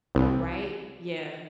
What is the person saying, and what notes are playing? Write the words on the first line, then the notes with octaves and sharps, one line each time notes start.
Right? Yeah.
C2